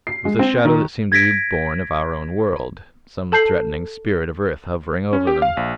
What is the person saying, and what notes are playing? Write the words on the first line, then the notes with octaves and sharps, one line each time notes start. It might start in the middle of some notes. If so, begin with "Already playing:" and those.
It was a shadow that seemed to be born of our own world--some threatening spirit of earth hovering over them.
C7
G#3
C4
D#3
G#6 A#6 B6 D7
A4 A5 G6 C7 F#7
C#4
G4
F5
A#1